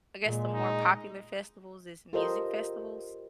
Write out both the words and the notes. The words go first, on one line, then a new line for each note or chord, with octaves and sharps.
I guess the more popular festivals is music festivals.
A#2 G#3
D#4
F4 G4 A4 A#4 C5 D#5